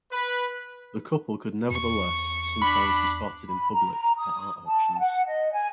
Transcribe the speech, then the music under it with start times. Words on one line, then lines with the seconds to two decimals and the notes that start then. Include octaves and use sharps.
The couple could nevertheless sometimes be spotted in public at art auctions.
0.11 B4
1.71 E2 C#6
2.62 D4 B5
3.49 B5
3.73 A#5
4.17 D#6
4.66 A5
4.99 F#5
5.26 D#5
5.52 G#5